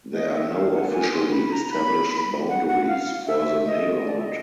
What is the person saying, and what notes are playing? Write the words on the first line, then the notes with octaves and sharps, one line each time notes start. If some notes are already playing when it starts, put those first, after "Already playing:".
There are no officially established boundaries for the neighborhood.
D#5
F5
E5
F5
F#5
G#5
C6
B5
A#5
B5
F#5
F#5
F5
E5
D#5
D5
E5
D#5